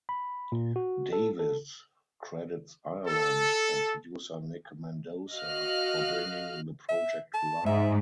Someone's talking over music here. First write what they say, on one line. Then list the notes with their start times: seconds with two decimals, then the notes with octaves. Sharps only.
Davis credits Ireland and producer Nic Mendoza for bringing the project to life.
0.09 B5
0.52 A#2
0.76 F#4
1.13 A4
1.39 A4
3.06 A4
5.32 F#4 D#5 F5 F6 F#6
6.89 E5
7.34 A5
7.66 G#2 E5